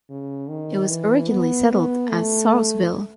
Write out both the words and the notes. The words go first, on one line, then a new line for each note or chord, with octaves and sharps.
It was originally settled as Sarlesville.
C#3
D#3
E3
B3
B3
A3